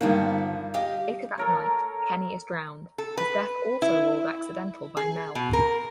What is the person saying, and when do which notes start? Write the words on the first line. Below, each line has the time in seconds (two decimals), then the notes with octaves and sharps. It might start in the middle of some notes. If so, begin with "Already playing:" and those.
Later that night, Kenny is drowned, his death also ruled accidental by Mel.
0.01 G2 D3 D#3 F3 A#3 B3
0.74 G4 D#5 F5
1.38 A4 A#4 C#5
2.98 A4
3.17 B4
3.82 E4
4.97 G#4
5.35 B2
5.53 A#4